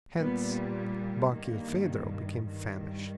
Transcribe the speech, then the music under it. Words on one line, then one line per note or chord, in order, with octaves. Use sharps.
Hence Barkilphedro became famished.
A#2 G3 B3
G2 D#3 G3 A#3
G2 D#3 G3